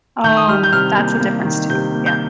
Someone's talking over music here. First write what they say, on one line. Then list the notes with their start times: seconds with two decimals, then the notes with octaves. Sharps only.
Oh, that's a difference too, yeah.
0.24 D#3 G6
0.37 D#6
0.49 G3 F6
0.64 G6
0.72 C3 F6
0.97 A#3
1.21 A#3
1.45 D#3
1.70 C3 G6
1.94 A#3
2.06 G6